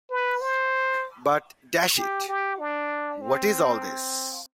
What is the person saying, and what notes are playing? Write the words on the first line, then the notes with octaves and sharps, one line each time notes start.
But, dash it, what is all this?
B4
C5
G4
G4
D4
C4